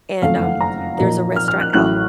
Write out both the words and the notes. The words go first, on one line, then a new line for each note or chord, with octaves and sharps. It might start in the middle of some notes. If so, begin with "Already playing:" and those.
and, um, there's a restaurant out
F#1 F2 D#3 A3 F5
F#5
A#5
A#2 F3 A#3 D#4
F6
F6
F#6
A1 A2 F#3 F#6